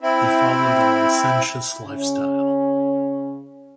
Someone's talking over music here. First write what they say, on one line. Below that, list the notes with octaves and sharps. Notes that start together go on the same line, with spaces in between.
He followed a licentious lifestyle.
C4 E4
C#3 C#4